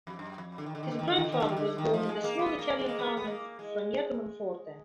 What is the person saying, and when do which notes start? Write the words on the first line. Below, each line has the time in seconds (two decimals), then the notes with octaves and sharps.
His grandfather was born in the small Italian town of Fragneto Monforte.
0.07 F2
0.19 F#2
0.38 F2
0.58 D3
0.66 D#3
0.75 D3
0.83 D#3
0.91 D3
0.99 D#3
1.07 D3
1.16 D#3
1.24 D3
1.32 D#3
1.40 D3
1.49 D#3
1.57 D3
1.78 D#3
1.94 F3
2.09 G#3
2.24 A#3
2.39 B3
2.59 A#3
2.79 G#3
2.89 A#3
2.99 B3
3.17 B3
3.28 A#3
3.59 G#3